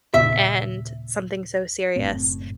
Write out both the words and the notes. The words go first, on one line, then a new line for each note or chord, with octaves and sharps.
and something so serious
D#2 A#2 C#3 E5
F#1 A2 C4